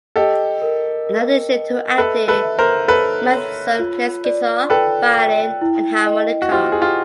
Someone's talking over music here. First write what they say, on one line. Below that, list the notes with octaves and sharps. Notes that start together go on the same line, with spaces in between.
In addition to acting, Matheson plays guitar, violin and harmonica.
G4 A4 D#5
A#4
A#4
D#5
A4 B4 E5
A4 B4
E5
A#4 C5
A4 B4 C#5
C#5
F4
D5
A4 B4 G5
G5
E4
D#5
F#4
F4 G4 C5
G#4
F4 G4